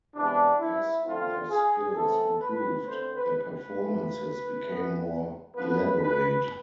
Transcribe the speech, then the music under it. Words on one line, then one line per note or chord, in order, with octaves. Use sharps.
As their skills improved, their performances became more elaborate.
C3 E3 G#3 B3 D4
E4
D3 F3 A3 C4 F4
G#4
E3 A3 C4 A4
B4
D3 A3 C4 C5
B4
B4
C3 F3 A3
E3 B3
A2 F3 B3 B4
B4